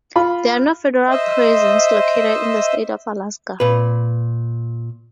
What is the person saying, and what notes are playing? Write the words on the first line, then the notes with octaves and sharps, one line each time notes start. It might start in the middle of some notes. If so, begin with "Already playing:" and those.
There are no federal prisons located in the state of Alaska.
F4 B5
C5 D#5 E5
A#2 B4